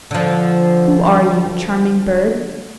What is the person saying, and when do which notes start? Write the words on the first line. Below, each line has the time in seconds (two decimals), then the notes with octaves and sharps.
"Who are you, charming bird?"
0.11 D3 F3